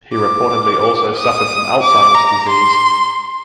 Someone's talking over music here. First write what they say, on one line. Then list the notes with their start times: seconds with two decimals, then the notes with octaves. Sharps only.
He reportedly also suffered from Alzheimer's disease.
0.13 D6
1.14 D#6
1.81 D6
2.14 A#5
2.48 C6